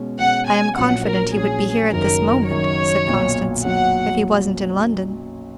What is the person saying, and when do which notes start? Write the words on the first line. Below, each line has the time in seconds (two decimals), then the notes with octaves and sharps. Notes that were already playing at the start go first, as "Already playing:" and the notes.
"I am confident he would be here at this moment," said Constance, "if he wasn't in London."
Already playing: B2 G#3 C#4
0.19 B2 G#3 C#4 F#5
0.48 G#5
0.76 A#1 A#2 F#3 C#4 F#5
1.05 A#4
1.34 A#1 A#2 F#3 C#4 G#4
1.92 F#1 F#2 D#3 F#3 A#4
2.49 F#1 F#2 D#3 F#3 C#5
3.07 B1 A#2 F#3
3.65 B1 A#2 F#3 F#5